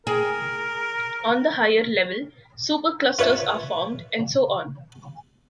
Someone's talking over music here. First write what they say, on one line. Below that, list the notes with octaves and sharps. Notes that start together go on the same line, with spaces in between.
On the higher level, superclusters are formed, and so on.
G#4 A#4
F4 B4 C#5 E5 A5